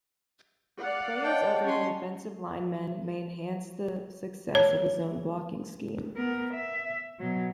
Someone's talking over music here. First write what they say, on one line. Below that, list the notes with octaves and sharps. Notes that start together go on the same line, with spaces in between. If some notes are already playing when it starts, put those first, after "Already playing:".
Players other than offensive linemen may enhance the success of a zone blocking scheme.
D5 F5 F#5
C#5 D#5 G5 A5
C#4 C6
C#5
B3 A#4
E5
B2 F#3